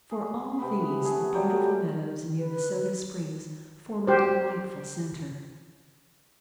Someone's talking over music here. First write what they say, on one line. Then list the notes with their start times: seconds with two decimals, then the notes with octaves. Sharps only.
For all these the beautiful meadows near the Soda Springs form a delightful center.
0.11 G#4
0.58 C3 B3 B5
1.04 A3 G#4
1.34 F#3 G3 G4
2.36 B4
4.07 G4 C5